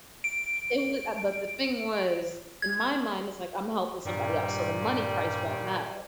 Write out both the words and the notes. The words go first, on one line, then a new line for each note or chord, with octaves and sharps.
It wa uh, but the thing was, in my mind, it's like, "I'm helping somebody else," so the money price won't matter.
D7
G#6
G2 A#2 D#3 G3